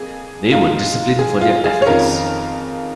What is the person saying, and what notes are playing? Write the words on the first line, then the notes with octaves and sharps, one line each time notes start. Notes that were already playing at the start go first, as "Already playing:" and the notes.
They were disciplined for their efforts.
Already playing: F2 A#3 G#4
G#2 G#3 D#4 F4
G#4
F4
G#4
C#5
F2 D#3 C#4 F4 A#4